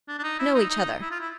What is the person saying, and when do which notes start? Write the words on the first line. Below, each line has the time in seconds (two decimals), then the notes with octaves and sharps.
Know each other.'
0.08 D4
0.19 D4
0.23 D#4
0.39 E4
0.54 D#4
0.70 D#4
1.01 E4
1.11 F4
1.21 E4